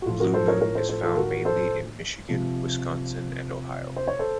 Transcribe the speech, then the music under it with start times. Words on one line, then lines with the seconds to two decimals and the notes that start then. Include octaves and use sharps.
Blue Moon is found mainly in Michigan, Wisconsin, and Ohio.
0.02 F#4
0.06 A2 F3 F4 A4
0.20 F#4 A#4
0.34 A4 C5
0.47 A#4 C#5
0.61 A#4 C#5
0.75 A4 C5
0.89 A4 C5
1.03 F4 A4
1.17 F#4 A#4
1.45 A4 C5
2.29 C3 F3
3.97 C5
4.08 C#5
4.19 A4 C5